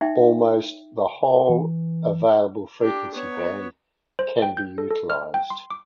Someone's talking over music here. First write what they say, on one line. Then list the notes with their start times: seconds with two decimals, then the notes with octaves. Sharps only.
Almost the whole available frequency band can be utilized.
0.01 D#4 E5 G5
1.50 E3
2.80 D4 G4
3.12 B3 C#5
4.19 C5
4.42 G5
4.57 G6
4.78 A4
4.91 A4
5.10 F6
5.34 G5
5.50 C6
5.70 D6